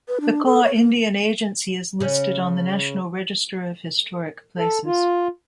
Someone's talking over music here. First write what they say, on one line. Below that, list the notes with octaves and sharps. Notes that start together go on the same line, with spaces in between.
The Kaw Indian Agency is listed on the National Register of Historic Places.
B4
D4
A4
C#5
A#3
C#3 C#4
A4
F4